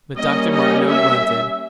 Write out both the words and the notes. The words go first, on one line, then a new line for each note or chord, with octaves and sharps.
But Dr. Martineau grunted.
G3 A#3 C#4 D#5
D#5
E5